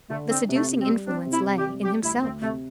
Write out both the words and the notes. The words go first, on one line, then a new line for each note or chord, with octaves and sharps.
The seducing influence lay in himself.
D3 A3
C4 D4
C3
A3
C3
C4
G3
C4 D4
C3
E4
C3
G4
G3
G3 G4
D2 E4
D2 C4
C3 A3